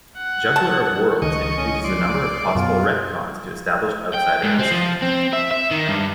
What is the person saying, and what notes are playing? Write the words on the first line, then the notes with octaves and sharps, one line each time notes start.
"Juggler of Worlds" introduces a number of possible retcons to established Outsider history.
F#5
A5
C#2 D#3 D#5 C#6
C#4
D5 C6
F#2 B2 F4
G5
G#2
C4
F3
C4
E5
E5
D#3
G2